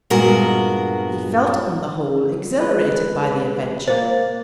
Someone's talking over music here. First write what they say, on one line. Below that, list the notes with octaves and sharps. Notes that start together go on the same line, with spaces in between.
He felt on the whole exhilarated by the adventure.
G2 A#2 G#3 B3 F#4 A#4
G#3 B4
A#3 C5 A6